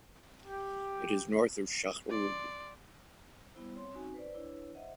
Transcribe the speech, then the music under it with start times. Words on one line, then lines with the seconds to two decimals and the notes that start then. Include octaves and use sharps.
It is north of Shahrud.
0.47 G4
2.09 D5 C6
3.55 G3 B3 E4 C5
3.74 C4 C#5 C6
3.92 C4 C#4 D#4 F#4 G#5
4.14 B4 C5 D5
4.35 D4 E4 B4 C#5
4.75 C5 D#5 E5 F#5